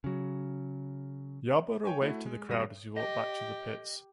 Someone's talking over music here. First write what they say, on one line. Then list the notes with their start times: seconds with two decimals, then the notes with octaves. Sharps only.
Yarborough waved to the crowd as he walked back to the pits.
0.04 C#3 F#3
1.85 C#5 G5 G#5
2.02 A3 E4 F#4
2.26 G#3
2.49 G1 B2 G3 A#6 D#7
2.97 G4 D#5